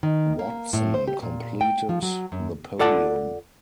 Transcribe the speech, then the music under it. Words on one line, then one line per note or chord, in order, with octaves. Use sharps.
Watson completed the podium.
D#3
A#3
A2
C5
G4
A#2
G5
F3
F#3
F#2
F4 A4 D5 F#5 A5